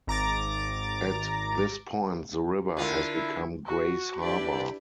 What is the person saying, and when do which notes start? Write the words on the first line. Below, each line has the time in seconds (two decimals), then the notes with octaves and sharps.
At this point the river has become Grays Harbor.
0.07 G#1 A#5 D6 A6
2.77 D3 E4 F4 A#4
3.14 E4
3.65 F#4
4.18 D4 E4 G4 B4 D5